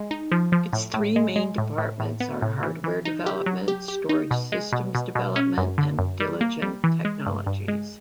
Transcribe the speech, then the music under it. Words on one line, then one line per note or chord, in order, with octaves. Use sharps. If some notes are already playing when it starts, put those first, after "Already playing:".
Its three main departments are Hardware Development, Storage Systems Development, and Diligent Technologies.
Already playing: G#3
D#4
F3
F3
A2
A2
G#3
G#3
A2
A2
A2
B3
A2
E3
E3
D#4
G4
F#3
G4
G4
D#4
B2
G#3
B2
B2
B2
C#4
F#2
D3
F#2
G3
A#3
G3
E3
G#3
G2
G2
G#3